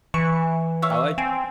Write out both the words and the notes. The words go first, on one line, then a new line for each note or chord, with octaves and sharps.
I like
E3 C#6
C#5 E5 F5
C4 G#5